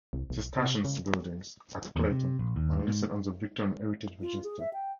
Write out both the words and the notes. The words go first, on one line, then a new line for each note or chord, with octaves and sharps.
The stations buildings at Clayton are listed on the Victorian Heritage Register.
C2
B1
C3
C#3
E2
C3
A#1
D#2
G#2
F4
G#4
E5
G5